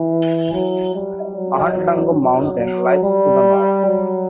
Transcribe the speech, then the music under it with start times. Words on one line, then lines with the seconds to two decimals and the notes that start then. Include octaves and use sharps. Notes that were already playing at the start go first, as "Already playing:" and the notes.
Mahantango Mountain lies to the north.
Already playing: E3
0.53 F#3
0.95 G3
1.37 F#3
2.20 F#3
3.03 G3
3.86 F#3